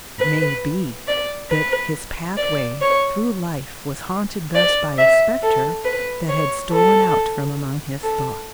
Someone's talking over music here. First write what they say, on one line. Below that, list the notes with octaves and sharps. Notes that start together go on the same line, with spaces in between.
It may be that his pathway through life was haunted thus by a spectre that had stolen out from among his thoughts.
B4
D5
B4
D5
C#5
D5
E5
A4
B4
C#5
A4
A4